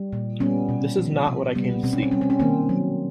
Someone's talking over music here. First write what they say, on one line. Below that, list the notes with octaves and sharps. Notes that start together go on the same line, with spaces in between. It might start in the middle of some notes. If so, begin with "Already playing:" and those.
This is not what I came to see.
Already playing: G3
A#2
G3 B3 C#4
B2
F3
C3
G3 B3
B2 C4
C#4
C4
G3 C#4
C4
C#4
D#3 A#3 C4
F#3